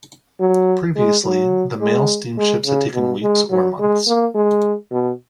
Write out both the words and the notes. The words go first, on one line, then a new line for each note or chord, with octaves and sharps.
Previously, the mail steamships had taken weeks or months.
F#3
G#3
F#3
G#3
G#3
C#3
B2
G#3
F#3
G#3
A#3
G#3
B2